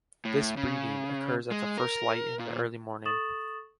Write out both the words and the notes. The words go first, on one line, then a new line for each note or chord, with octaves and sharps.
This breeding occurs at the first light in the early morning.
A2
C#3
G#3
A#4
A#2
A4 C#6 D#6 A6 E7 F#7